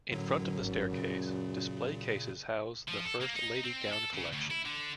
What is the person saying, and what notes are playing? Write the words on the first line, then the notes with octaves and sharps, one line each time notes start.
In front of the staircase, display cases house the First Lady Gown Collection.
F#2 A2 D3 F#3
G#1 G#2
A#2 C#3
F3
A4
A#3
D#4
C4
A4
C#3
D2
E4
D3